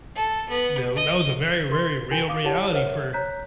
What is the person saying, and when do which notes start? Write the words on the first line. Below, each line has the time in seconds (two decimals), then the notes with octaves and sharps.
Tha that was a very, very real reality for
0.15 A4
0.49 B3
0.96 D#5
1.70 A#4 C6
2.11 E4 F#4 A#4 G5 G#5 G6
2.29 F5 D6 D#6
2.45 E4 G4 C#5 D5 F#5 A5
2.72 A#4 C5 C#5 E5 F#5 F6
3.13 C#5 A#5 F#6 G6 B6